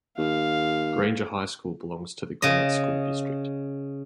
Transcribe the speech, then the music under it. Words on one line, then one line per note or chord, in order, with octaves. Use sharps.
Granger High belongs to the Granite School District.
D#2 F5
C#3 D#5